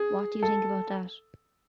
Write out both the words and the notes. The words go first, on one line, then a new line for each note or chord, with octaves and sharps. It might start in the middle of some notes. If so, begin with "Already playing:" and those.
What do you think about that?
Already playing: G#4
A4